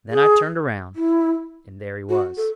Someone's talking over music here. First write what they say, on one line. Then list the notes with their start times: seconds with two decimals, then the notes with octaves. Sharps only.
Then I turned around and there he was.
0.10 G#4
0.96 E4
2.09 F#4
2.37 A4